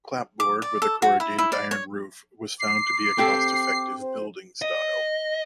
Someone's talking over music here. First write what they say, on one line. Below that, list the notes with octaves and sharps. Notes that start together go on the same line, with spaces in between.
Clapboard, with a corrugated iron roof, was found to be a cost-effective building style.
D6
D5
A4
F#4
E4
E4
D5
C#5
D6 C7
C4 G4 A4
C5
D#5